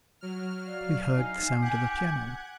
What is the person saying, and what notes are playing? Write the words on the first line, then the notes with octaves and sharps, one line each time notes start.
We heard the sound of a piano.
F#3 F6
D5 F5
D#4 G#5
G4 F#5 F#6 G#6